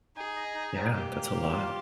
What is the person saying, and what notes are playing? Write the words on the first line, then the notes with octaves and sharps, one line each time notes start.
Yeah, that's a lot.
D#4 G#4
D#5
D#4
D#4
A#3 G4
A#3
A#3
F4